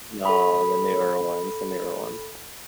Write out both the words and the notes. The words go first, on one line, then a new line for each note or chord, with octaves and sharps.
No, the newer ones, the newer ones.
A4 B5